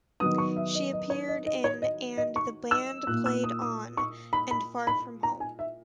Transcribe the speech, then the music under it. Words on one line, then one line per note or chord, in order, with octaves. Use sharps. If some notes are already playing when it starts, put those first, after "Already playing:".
She appeared in "And the Band Played On" and "Far from Home".
D#3 F#3 B3 D#6
C#6
E5
D#5
D#5
C#5
D#5
D#5
C#5
D#5
D#5
C#6
E6
A#2 A#3 F#6
E6
D#6
D#6
C#6
B5
B5
B5
A#5
G#5
E5